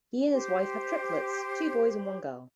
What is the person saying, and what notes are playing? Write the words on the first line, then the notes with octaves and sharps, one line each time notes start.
He and his wife have triplets; two boys and one girl.
G4 C5